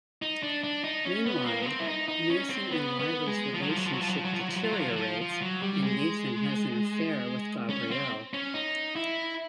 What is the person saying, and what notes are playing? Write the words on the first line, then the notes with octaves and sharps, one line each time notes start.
Meanwhile, Nathan and Lila's relationship deteriorates and Nathan has an affair with Gabrielle.
D#4
D4
D4
D#4
C#4
B3
A#3
B3
C4
E4
D#4
D#4
C#4
C4
B3
B3
G#3
F3
F#3
F3
F#3
F3
F#3
F3
F#3
F3
F#3
F3
F#3
F3
F#3
F3
F#3
F3
F#3
F3
F3
F#3
G3
G#3
C#4
C4
C#4
D#4
E4